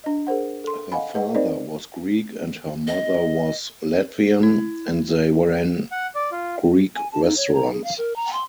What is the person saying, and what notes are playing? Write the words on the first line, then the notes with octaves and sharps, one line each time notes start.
Her father was Greek and her mother was Latvian, and they ran Greek restaurants.
D4 D#5
G#4 A#4 C5 F#5
A4 C6
D#5 F5 F#5 G#5 B5
G#4 B4 D#5 F#5
C4 D#4 A#4 C5 D5 D#5
D#5
E4
F#5
D5
F4
G#5
A5
D#4
C#5
A#5
G#4
F5
A#4
A#5
C6